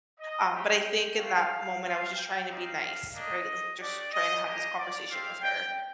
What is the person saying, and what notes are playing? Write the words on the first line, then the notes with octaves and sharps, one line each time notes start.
um, but I think in that moment, I was just trying to be nice, right? Like just trying to have this conversation with her.
D#5
A3 C4 D#4 G4 G5
A3 D4 F4 F5
C4 F4 F5
G5
C4 D#4 G4 F5
A#3 D4 G4 D#5
A3 D4 G4 D5
D#5
A#3 D4 G4 D#5
D5
C4 G4 F5
G5